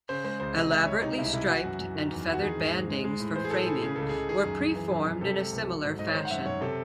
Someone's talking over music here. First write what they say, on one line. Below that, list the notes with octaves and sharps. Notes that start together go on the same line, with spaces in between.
Elaborately striped and feathered bandings for framing were pre-formed in a similar fashion.
C#3 C5
G#3 C5
C#2 C5
C3 D#5
G#3 E5
C#2 C#5
C3 D#4
C2 E4
D#4
C2 E4
E3 F#4
F#2
F#2
D#3
E2
E2
F#4
D#3 G#4
G#2
G#2
G#3
G#3
A2
E3 C5
G#4
A2 A4
A2 G#4
C#3 G#4
C#2 A4
C#2 G#4
D#3 G#4
F#2
F#2
E3
F#2
F#2
C3 A4
G#3
C2
F#3
G#2
G#2 D#5
C#5
D#3 C5
F#5
F#2 E5
F#2 C#5
C3 A4